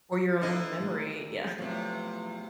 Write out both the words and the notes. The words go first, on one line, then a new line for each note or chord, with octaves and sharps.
Or your own memory. Yeah.
D3 A#3 C4 E4 D#5
D2 D#3
E2 C3 F3 F#3 A3